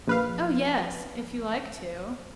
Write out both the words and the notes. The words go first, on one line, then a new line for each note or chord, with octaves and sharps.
"Oh yes; if you like to."
A#1 B4 F5